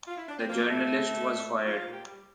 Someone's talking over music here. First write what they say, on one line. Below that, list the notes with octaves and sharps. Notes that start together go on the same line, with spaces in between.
The journalist was fired.
F4
E4
D4
C4
F3 A#3
A2 A3
A2
A2
A#2
A#2
F3 F4
F4
A#2
G4
G3